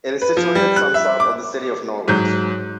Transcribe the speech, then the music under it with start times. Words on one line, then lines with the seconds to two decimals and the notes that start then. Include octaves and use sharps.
It is situated some south of the city of Norwich.
0.22 B4
0.37 F3
0.55 G3
0.76 F#6
0.94 E5
1.20 D6
2.08 G#2 F#3 G6